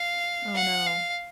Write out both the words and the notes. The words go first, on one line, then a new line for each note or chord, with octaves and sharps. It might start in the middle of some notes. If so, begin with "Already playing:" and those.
Oh, no.
Already playing: F5
F#5
F5